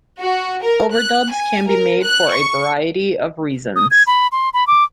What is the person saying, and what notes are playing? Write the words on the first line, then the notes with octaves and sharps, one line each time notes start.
Overdubs can be made for a variety of reasons.
F#4
A#4
F#6
G#5
A#4
F#6
C#6
D#6
G#6
B5
C6
B5
D6